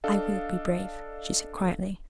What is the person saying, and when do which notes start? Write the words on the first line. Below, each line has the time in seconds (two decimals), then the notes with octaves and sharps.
"I will be brave," she said quietly.
0.04 D4 A4 D#5 F5